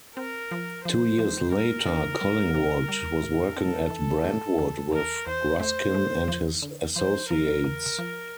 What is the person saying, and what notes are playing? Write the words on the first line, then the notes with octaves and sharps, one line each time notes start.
Two years later Collingwood was working at Brantwood with Ruskin and his associates.
C4 A#4
F3
F3 C5
F3
G3 A#4
D4
G3
C3
G3
A2
C4 A4
E3
A3
E2
E2 A#4
E2 C5
A3 C5
A3
F3
D3
F3 C5
F3 A#4
E2
F3